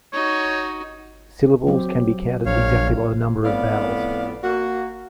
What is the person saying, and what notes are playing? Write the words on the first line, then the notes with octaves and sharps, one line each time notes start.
Syllables can be counted exactly by number of vowels.
D#4 F#4 C#5
F#3 C4 G4
A#1 C#5 F5
F2 A2 B3 D5 F5
A#3 F#4